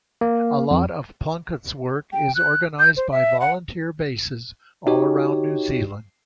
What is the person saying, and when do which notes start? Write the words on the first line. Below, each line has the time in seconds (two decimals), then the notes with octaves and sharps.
A lot of Plunket's work is organised by volunteer bases all around New Zealand.
0.21 A#3
0.71 F2
2.13 G5
2.35 F#6
2.79 G6
2.97 C5
3.11 E5
3.41 F#5
4.87 D#4 F#4 G4 C#5